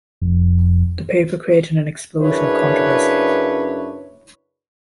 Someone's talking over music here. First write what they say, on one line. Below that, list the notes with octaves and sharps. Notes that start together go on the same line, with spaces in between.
The paper created an explosion of controversy.
F1
F#2 C#3 D4 E4 B4 C#5